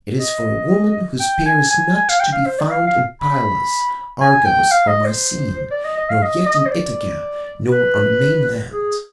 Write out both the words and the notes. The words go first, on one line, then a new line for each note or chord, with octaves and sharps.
It is for a woman whose peer is not to be found in Pylos, Argos, or Mycene, nor yet in Ithaca nor on the mainland.
D#5
G5
G#5
G#5
G#5
F5
G5
F5
C5
D5
F5
F5
B5
G#5
G5
F5
D#5
C5
D5
D#5
D#5
F5
D#5
D#5
C5
D5
B4
G#4